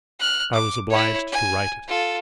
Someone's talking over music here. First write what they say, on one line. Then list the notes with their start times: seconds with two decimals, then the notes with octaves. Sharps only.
I was obliged to write it.
0.19 F6 F#6
0.54 D6
0.90 E4 C#5
1.32 G#5
1.88 F4 A4